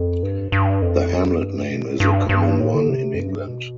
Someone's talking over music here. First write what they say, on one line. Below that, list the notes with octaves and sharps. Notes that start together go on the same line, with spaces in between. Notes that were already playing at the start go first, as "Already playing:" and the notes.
The hamlet name is a common one in England.
Already playing: F2
G2
G2
F2
G2
B2
A2
G2
G2
A2
D3
C3
F2
G2
B2